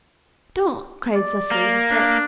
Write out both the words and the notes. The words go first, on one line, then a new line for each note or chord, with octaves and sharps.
"Don't," cried Cecily hysterically.
D5
A#3
D4